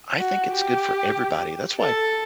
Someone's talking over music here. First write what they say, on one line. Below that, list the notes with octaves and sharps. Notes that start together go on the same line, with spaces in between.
I think it's good for everybody. That's why
F#4
G4
A4